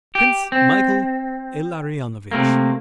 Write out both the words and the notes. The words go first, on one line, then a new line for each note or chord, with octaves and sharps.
Prince Michael Ilarionovich!
G4
C4
C3 A3 A#3